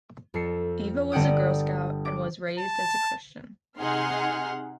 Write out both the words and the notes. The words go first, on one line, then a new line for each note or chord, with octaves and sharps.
Iva was a Girl Scout, and was raised as a Christian.
F2 A4 C7 C#7
G1 D3 F#5 G5 D#6
D6
A5
C3 D#4 G#4 F#5 C6 F6